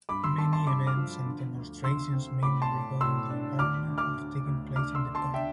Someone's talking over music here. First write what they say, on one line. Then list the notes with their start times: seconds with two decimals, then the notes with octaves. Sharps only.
Many events and demonstrations mainly regarding the environment have taken place in the park.
0.09 G2 B5 D6
0.24 C6 E6
0.38 G2 A5 C6
0.53 A5 C6
0.67 G2 B5 D6
0.87 D6 F6
0.97 F3
1.25 D3
1.54 D2
1.84 D3 C6 E6
2.13 C4
2.42 A2 B5 D6
2.62 A5 C6
2.72 A2
3.01 A2 C6 E6
3.30 D4
3.59 D2 D6 F6
3.88 D2
3.98 D6 F6
4.18 D2
4.46 D2
4.76 D4 D6 F6
4.95 C6 E6
5.05 D3
5.15 A5 C6
5.34 D4 E5 G5